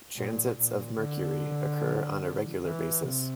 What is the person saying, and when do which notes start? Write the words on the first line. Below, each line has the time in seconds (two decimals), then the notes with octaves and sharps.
Transits of Mercury occur on a regular basis.
0.17 A#2
0.59 A#2
1.00 D3
2.64 E3
3.04 C3